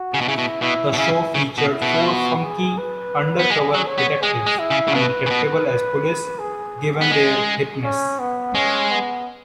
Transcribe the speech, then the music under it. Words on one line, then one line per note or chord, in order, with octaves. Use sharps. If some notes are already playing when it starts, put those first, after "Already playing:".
The show featured four "funky" undercover detectives: undetectable as police, given their "hipness".
Already playing: F#4
C#3
B2
C#3 E4
B2
B2 E4
B2
C#3 E4
C#3
B2
E4
B2
F#4
G#4
B4
B3
G#3 G#4
F#3
C#5
B3
G#3 G#4
G#3
E4
C#3
C#3
B2 B4
C#3
B2
B4
G#4
B3
G#3
C#4
B3
G#3 C#4
B3